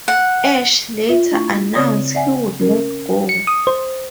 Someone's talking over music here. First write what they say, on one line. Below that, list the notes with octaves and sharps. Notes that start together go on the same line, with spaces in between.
Ash later announced he would not go.
F#5
F4 E5
A3 D4 E4 C#6
C#3 C4 C#5 D5 D#6 A#6
D5 E5 F#5 G#5
C#4 A#4
C#7
D#6
C5